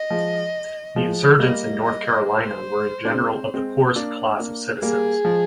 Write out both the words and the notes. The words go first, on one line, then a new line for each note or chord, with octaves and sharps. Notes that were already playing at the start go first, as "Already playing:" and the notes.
The insurgents in North Carolina were in general of the poorest class of citizens.
Already playing: D#5
F3 G#3
F3 G#3
G3 A#3 D#5
D#5
C5
D4
G#3 C4
G#3 C4
A#3 D4
A#3 D4
G3 A#3 G#4
F3 G#3